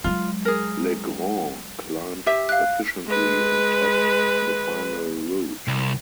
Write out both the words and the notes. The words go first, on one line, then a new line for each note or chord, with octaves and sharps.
Legrand climbed efficiently and topped the final route.
F#3 G#3 F4
G#4 A#4
G4 E5
F5 F#6
G#3 B4
C2